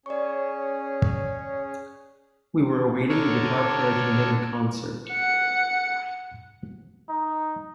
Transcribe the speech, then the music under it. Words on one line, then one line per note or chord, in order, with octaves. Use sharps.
We were awaiting the guitar player to begin the concert.
C#4 G#4 C#5 D5 C#6
D3 A4 A#4 C#5
F#5 C#7
D#4